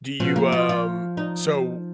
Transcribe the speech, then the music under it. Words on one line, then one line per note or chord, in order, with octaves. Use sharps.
Do you, um so,
B2 F3
A#3
F4
F4
D#4